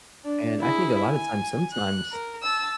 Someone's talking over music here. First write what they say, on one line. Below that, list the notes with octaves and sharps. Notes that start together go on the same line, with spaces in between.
and I think a lotta times sometimes,
D4
E4 G#4
G#5
F#6
A#4
A5 E6